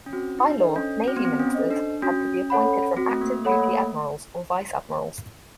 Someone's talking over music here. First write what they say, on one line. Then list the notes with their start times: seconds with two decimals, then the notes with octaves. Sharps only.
By law, Navy Ministers had to be appointed from active duty admirals or vice-admirals.
0.06 C#4
0.13 C4 F#4
0.39 D#4
0.44 D4
0.60 A4 C5 D#5
0.76 C#4
1.07 C4 F#4
1.17 B3
1.25 C4
1.39 C#4
1.55 A4 C5 D#5
1.71 D4
2.02 C#4 F#4
2.50 A4 C#5 F#5 B5
2.97 C4 F#4
3.11 A3
3.21 A#3
3.45 A3 A4 C#5 F#5 B5
3.52 A#3
3.60 A3